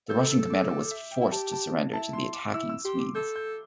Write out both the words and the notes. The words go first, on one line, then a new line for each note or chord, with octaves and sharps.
The Russian commander was forced to surrender to the attacking Swedes.
A4 G6
E6
D6
D6
E5
G5
E4
G4 A5
A5
E4 A5
C6
D6
E4 E6
E6
G4 C6
D6
A4 G6
G6